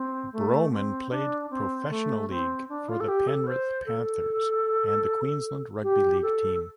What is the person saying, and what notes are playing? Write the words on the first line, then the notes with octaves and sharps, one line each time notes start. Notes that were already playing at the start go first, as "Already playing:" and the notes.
Brohman played professional league for the Penrith Panthers and the Queensland rugby league team.
Already playing: C4
A3
C4
D4
C4
A3
C4
D4
F4
A4
G4
A4
C5
A4
G4
A4